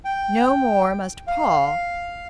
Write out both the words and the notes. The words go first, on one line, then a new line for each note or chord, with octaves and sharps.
No more must Paul.
G5
F5